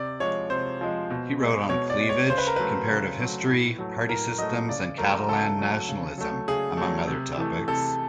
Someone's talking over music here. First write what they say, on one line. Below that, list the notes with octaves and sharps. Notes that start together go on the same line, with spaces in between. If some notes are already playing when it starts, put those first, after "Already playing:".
He wrote on cleavage, comparative history, party systems and Catalan nationalism, among other topics.
Already playing: C3 D5
F3 G#3 C#5
C3 C5
F3 G#3
B2
G#3
B2 C#5
D5
G#3
C#5
C#3 C5
B4
A#4
F#3 A3 B4
C#3
F#3 A3
A2
F#3 A3
A2 A#4
F#3 A3 D#5
C#3 D5
F#3 A3 A#4
C#3 A4
F#3 A3
C#3
F#3 A3
C#3 G#4
F#3 A3
C3
E3 A3
C3 A4